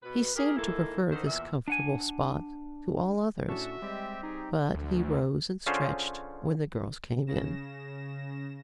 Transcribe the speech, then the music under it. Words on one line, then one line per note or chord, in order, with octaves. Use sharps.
He seemed to prefer this comfortable spot to all others, but he rose and stretched when the girls came in.
B2 B4
C#4 G4 G#4 A#4
G#2 D#3 A#3 E4 A4
D3 D#3 D#4 C5
E2 A#2 E3 E5
D4 F#5 G#5
A2 C#4 D4 F#4 E5 A5 C#6
G3 G#3 C4 G4
D#4 G#4
D2
D3 C#4 F4 G#4 C5 C#5
C#3 A#6 E7